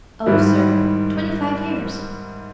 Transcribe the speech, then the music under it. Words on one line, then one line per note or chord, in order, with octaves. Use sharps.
"Oh, sir, twenty-five years."
G#2 D#3 G3 E4